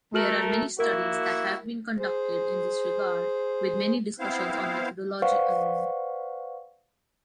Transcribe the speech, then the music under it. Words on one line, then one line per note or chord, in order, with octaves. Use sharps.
There are many studies that have been conducted in this regard, with many discussions on methodology alone.
A3 F#4 A#4 F6 F#7
A#3 E4 F#4 A#4
G#4 C5
B3 C4 E4 C5 F5
B4 C5 D5 F5 F#5 C#6